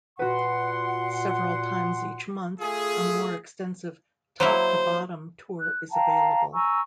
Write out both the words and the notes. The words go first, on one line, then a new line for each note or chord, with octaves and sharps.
Several times each month a more extensive "top to bottom" tour is available.
A#2 F#4 B4 F#5 C6
A3 F4 G#4
F#3 A#3 E4 C5
F#6
F5 G5 A5 A#5
G#5 A#5 C#6 E6